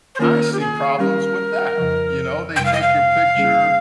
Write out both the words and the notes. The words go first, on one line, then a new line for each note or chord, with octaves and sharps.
I see problems with that, you know? They take your picture,
C5
D#3 A#3 C#4 F4 A#4
G4
G#4
G3 C#4 G4 A#4
F2 C#3 F3
F2 C3 G3 G5
F5
D#5
F5
C#3 G3 A#3 C#4 G#4